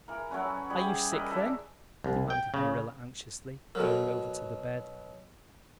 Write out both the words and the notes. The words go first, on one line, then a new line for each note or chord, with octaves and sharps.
"Are you sick then?" demanded Marilla anxiously, going over to the bed.
E3 A#4
F#3 A3 C#4 B4
E3 G3 G#4 B5
A#4 B4 D#5 E5
E3 E5 A5 A#5
C2
G5
C#3
B2 F#3 F#4 A4 A#4